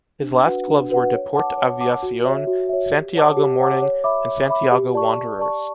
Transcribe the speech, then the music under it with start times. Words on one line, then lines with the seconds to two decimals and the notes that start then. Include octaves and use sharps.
His last clubs were Deportes Aviacion, Santiago Morning and Santiago Wanderers.
0.22 D4
0.46 F#4 B4 F#5
0.68 D4
0.90 F#4 B4 F#5
1.13 C#5
1.34 F#5 A5 D6
1.58 C#5
1.80 F#5 A5 D6
2.03 F#4
2.25 C#5 E5
2.47 F#4
2.69 C#5 E5
2.92 G4
3.15 C#5 F#5 A5 D6
3.37 G4
3.59 C#5 F#5 A5 D6
3.82 C#5
4.04 E5 B5 D6
4.26 C#5
4.50 E5 B5 D6
4.72 G4
4.94 D5 A5 C#6
5.16 G4
5.39 D5 A5 C#6